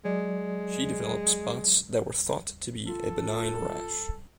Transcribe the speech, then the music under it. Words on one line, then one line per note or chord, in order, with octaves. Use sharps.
She developed spots that were thought to be a benign rash.
F#3 G#3 D5
F4 A4